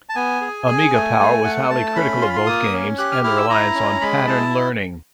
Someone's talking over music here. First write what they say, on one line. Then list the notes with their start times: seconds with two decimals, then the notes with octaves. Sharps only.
Amiga Power was highly critical of both games and the reliance on pattern learning.
0.09 A5
0.15 B3 G#5
0.41 G#4
0.66 G#4
0.93 A3
1.18 A3
1.44 A3 F#5
1.70 A3 A5
1.95 C#4 B5
2.21 F4 C6
2.29 B5
2.36 C6
2.46 A#3 D#6
2.73 C#4
2.98 G4 F#6
3.12 F6
3.24 E4 F6
3.37 E6
3.50 E4 A#5
3.75 C#4
4.01 G#3 B5
4.27 E4 A5